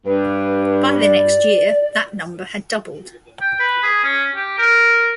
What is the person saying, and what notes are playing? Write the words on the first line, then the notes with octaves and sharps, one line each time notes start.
By the next year, that number had doubled.
G2 B4
D5
G5
B4
G#4
C#4
G4
A#4